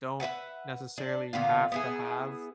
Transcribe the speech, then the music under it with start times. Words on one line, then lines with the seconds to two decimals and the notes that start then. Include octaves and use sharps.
don't necessarily have to have
0.20 B4 C5 E5 F#5
0.98 D4
1.33 A#2 D3 B3 F4
1.72 B3 E4 G#4